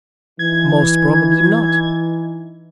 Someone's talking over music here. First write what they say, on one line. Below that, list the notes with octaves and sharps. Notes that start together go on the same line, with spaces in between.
Most probably not.
E3 D#4 G#6